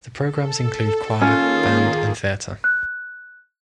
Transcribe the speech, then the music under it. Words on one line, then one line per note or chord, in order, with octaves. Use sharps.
The programs include: Choir, Band, and Theatre.
A4
D#3 A#3 C#4 F4 G#4
F#6